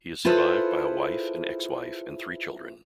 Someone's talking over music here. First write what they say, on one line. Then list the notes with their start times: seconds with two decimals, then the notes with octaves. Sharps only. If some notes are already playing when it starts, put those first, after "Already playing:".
He is survived by a wife, an ex-wife, and three children.
0.25 E4 F4 G#4 A4 B4 C5